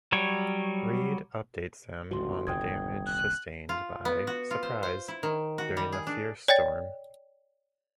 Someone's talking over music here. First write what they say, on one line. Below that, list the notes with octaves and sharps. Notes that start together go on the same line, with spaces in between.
Reade updates them on the damage sustained by "Surprise" during the fierce storm.
F#3 G3 C#5
G1 C#2 A2 F3 F#4 C6
D#1 C2 D3 G5 D#6 G#6
F#6
F4
B3
F#4
F4
C5
C5
E4
D#3
F#4
G3
G#4
D4
C#5 D5 G5 A6